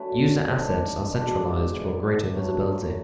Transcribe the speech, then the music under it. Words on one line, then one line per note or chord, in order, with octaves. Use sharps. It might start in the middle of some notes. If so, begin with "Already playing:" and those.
User assets are centralized for greater visibility.
Already playing: D3 F#3 A3 C#4 F#4 B4
G#2 G#3 D4
B2 G#3 D4 D5
D5
A2 E3 B3
F#2 D3 F#3 C#5